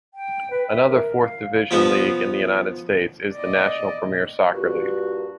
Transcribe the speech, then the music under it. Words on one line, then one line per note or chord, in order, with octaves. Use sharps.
Another fourth-division league in the United States is the National Premier Soccer League.
G5
B4
E5
A#4
F5
F3 B3
D5 D#5
G2 A#2 F#4